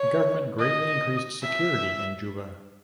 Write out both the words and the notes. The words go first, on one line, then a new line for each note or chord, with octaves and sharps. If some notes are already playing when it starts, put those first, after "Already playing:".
The government greatly increased security in Juba.
Already playing: C#5
D#5
E5